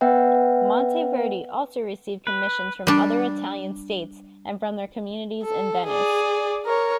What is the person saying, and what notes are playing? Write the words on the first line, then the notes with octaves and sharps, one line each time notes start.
Monteverdi also received commissions from other Italian states and from their communities in Venice.
B3 B4 E5 F#5 G5
B4
G3 D4
A4
G#4 D5
A#4 C#5